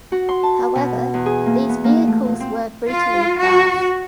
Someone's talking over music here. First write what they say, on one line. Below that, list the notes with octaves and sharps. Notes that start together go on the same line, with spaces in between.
However, these vehicles were brutally fast.
F#4
C6
A5
B2
E2
G#4
A#3
B3
A#3
A3
A#2
C4
F4
F#4